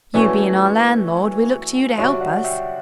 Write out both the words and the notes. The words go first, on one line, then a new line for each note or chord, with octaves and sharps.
You being our landlord, we look to you to help us.
E3 A3 C#4 F#4 B4 D5
D3 G3 D4 F#4 C#5 E5
D5 F#5
E5 G5